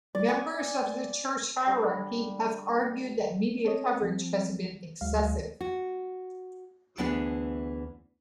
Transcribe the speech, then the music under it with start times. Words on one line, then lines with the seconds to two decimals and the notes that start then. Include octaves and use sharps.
Members of the church hierarchy have argued that media coverage has been excessive.
0.15 D5
0.28 G#5
1.66 D3 G3
3.65 C4 A4 C#5 D#5
4.03 F3
5.01 D2 F#3 G#3 F5
5.61 F#4
6.98 D2 E3 B3 D4 G#4